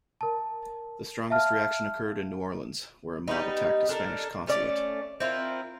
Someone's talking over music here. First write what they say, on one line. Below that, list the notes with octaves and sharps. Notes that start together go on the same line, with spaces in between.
The strongest reaction occurred in New Orleans, where a mob attacked the Spanish consulate.
A#4 A5
E5 F5 A5 F6
G3 B3 D#4
D4 A4 A#4
A3 C#4 D5
C4 E4 F4 A#4